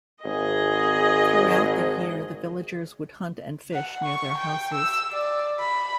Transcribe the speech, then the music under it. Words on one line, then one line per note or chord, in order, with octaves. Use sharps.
Throughout the year the villagers would hunt and fish near their houses.
G#1 G#4 D#5
F#5
C#6
G5
E6
D5
B5